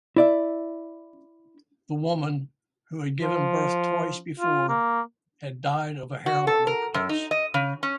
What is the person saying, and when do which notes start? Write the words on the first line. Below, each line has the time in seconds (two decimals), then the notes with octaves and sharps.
The woman, who had given birth twice before, had died of a heroin overdose.
0.16 E4 D5 E5
3.22 F3
4.40 F4
4.69 A#3
6.26 F#4
6.47 A4
6.67 A#4
6.94 F#2
7.09 D#4
7.31 D#5
7.54 C#3
7.83 C#4